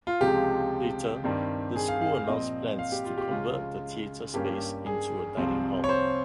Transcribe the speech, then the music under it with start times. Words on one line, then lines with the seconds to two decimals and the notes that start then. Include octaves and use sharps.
Later, the school announced plans to convert the theatre space into a dining hall.
0.07 F4
0.20 C#2 C3 F3 G#3 G4
1.24 G2 D#3 G3 C4
1.76 G#4
1.88 F5
2.01 F5
2.14 F5
2.27 A#2 F3 C4 D#5
2.79 F5
2.92 G4
3.05 F4
3.18 G4
3.31 C#2 C#3 G#3 C#4 F4
4.34 G2 G3 A#3 C#4 G4
4.86 G#4
5.37 C2 C3 F3 C4
5.84 C#5
5.89 C5